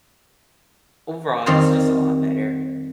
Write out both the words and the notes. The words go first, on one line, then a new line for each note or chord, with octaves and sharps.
Overall, it's just a lot better,
F2 D#3 G3 C4 F4 C6